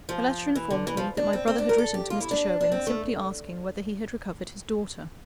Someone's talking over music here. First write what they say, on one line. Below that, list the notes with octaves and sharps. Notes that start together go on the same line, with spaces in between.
The letter informed me that my brother had written to Mr. Sherwin, simply asking whether he had recovered his daughter.
F3
E3
D3
E3
F3
D4
C4
C4
D4
A#4
A4
G4
F4
E4
D4
D4
C4
A3